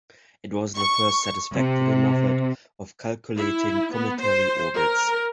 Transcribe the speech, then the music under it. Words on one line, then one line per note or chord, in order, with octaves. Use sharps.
It was the first satisfactory method of calculating cometary orbits.
C#6
C3
E4
B3
C5
A#4